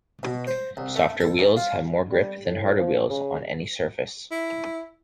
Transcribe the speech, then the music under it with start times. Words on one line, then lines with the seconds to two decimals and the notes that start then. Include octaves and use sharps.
Softer wheels have more grip than harder wheels on any surface.
0.23 B2
0.47 C5
0.77 C2
0.95 A3
1.20 A4
1.39 G#2
1.57 F4
2.12 G3
2.44 A2
2.61 A2
2.78 F3
3.10 C#3
4.31 E4